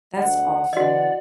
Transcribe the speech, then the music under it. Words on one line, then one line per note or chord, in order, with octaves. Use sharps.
That's awful.
D2 F#5
E3 F#4 D5 D#5